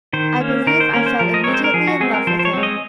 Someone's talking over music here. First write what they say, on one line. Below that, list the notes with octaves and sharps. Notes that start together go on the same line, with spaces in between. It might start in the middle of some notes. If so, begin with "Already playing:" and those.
I believe I fell immediately in love with him.
D#3 C5
A#3 C#4
D#3 A#4
C5
A#3 C#4 A#4
C5
F3 A#4
D#5
G#3 C4 C#5
C5
A#4
F3 G#4
F#4
G#3 C4 G#4
A#4
F3 C5
C5
C#5
G#3 C4
D#5